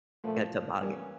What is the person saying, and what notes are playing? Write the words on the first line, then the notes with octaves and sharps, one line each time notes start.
A toboggan.
A#2 F3 A3 A#3
E3 G3 A#3 C#4